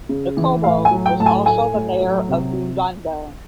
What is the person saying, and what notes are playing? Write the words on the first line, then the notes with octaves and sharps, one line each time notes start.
Ngcobo was also the mayor of Ulundi.
C#3
E3
A2 F5
G#5
F#3
G5
A2 A5
G#5
A3 G#5
A2
F#3
C3